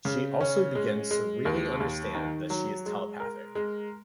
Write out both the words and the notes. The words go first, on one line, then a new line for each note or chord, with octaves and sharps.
She also begins to really understand that she is telepathic.
C#3
C#4
G#3
G#3
D#2
D#2
D#3
F#3
G#3
A#4
G#3